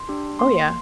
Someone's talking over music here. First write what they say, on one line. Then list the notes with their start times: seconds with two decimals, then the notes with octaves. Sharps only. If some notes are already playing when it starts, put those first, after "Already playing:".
Oh, yeah.
Already playing: C6
0.09 D4 G4
0.39 A#3 C6